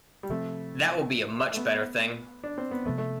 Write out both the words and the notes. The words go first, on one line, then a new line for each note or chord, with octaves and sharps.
That will be a much better thing.
G3
C3 F3 A3 C4
A3
B3
D4
C4
B3
C3 F3 A3 B3
A3